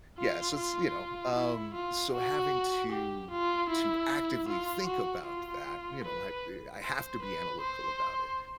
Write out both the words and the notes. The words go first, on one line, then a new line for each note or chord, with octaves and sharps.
yeah, so it's, you know, um, so having to to actively think about that, you know, I've to I have to be analytical about it,
F4
F4
E4
F4
F#4
G4
F4
E4
F4
F#4
F4
B4
C5
B4
C5